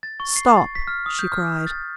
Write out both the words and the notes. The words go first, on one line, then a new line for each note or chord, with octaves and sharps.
"Stop!" she cried.
A6
C#6
C7
A6
B6
F6
D#6
G6
F6
A6